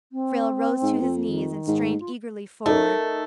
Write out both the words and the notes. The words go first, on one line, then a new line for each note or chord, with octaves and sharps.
Frale rose to his knees and strained eagerly forward.
C4
G#2
F2
D#3
G#2
F4
A3 D#4 A4 A#4